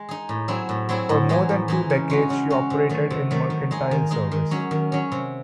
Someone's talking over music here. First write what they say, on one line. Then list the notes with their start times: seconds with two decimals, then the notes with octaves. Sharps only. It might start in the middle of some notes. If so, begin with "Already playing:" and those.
For more than two decades, she operated in mercantile service.
Already playing: G#3
0.09 D#4 G#4
0.29 A2
0.48 F#3 C4 E4 G#4
0.69 A2
0.89 F#3 C4 E4 G#4
1.09 A2
1.29 E3 G#3 D#4 G#4
1.49 A2
1.68 E3 G#3 D#4 G#4
1.90 C#3
2.10 G#3 C#4 F#4
2.30 C#3
2.50 G#3 C#4 F#4
2.70 C3
2.89 D#3 F#3 A3
3.10 C3
3.31 D#3 F#3 A3
3.50 D#3
3.71 G#3 D#4 G#4
3.91 D#3
4.11 G#3 D#4 G#4
4.32 D#3
4.51 F#3 C#4
4.71 D#3
4.92 F#3 C#4
5.12 C3